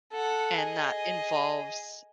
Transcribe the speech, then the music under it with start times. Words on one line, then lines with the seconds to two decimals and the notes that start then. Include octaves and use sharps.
and that involves
0.12 A4 F#5
0.59 G#4 D#5